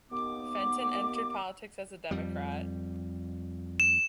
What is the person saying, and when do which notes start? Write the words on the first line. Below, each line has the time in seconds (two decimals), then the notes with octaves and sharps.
Fenton entered politics as a Democrat.
0.11 D#2 B3 D6
2.11 F2 G3
3.80 E7